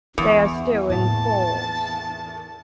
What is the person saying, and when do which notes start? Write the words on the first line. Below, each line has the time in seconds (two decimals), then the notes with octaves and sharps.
They are still in force.
0.18 E2 E3
0.90 A2 A#3 A5